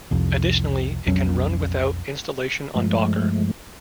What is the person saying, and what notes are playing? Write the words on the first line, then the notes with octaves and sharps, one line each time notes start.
Additionally it can run without installation on Docker.
C2 F2
B1 F2 F#3 C#4
G2 F3 G#3 A3